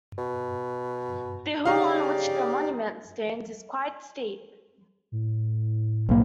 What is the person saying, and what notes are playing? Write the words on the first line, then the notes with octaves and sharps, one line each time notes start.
The hill on which the monument stands is quite steep.
B2
C#3 D#4 G4 D5 F5
A2
B1 A#3